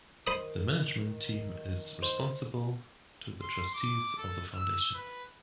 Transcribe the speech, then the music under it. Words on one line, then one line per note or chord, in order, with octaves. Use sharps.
The management team is "responsible to the Trustees of the Foundation".
D#3 C5 B5 D#6
C5
C6
D6
A4
E6
B4